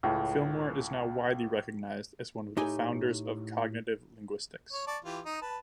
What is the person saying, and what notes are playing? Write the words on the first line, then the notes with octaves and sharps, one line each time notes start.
Fillmore is now widely recognized as one of the founders of cognitive linguistics.
C#2 A2
A2 D#4 G4 G#5
C#5
D5 A5 C#6
E3 F4 G4
D#4 D#6
B4 A5